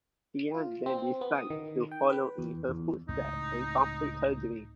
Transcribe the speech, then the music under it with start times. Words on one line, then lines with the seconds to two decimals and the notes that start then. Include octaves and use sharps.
Tian then decides to follow in her footsteps and complete her dream.
0.54 F4
0.86 C4
1.21 B3
1.35 D#6
1.50 D#3
1.91 G5
2.10 B4
2.38 E2
2.69 E2
3.09 C#2 A2 C4 D#4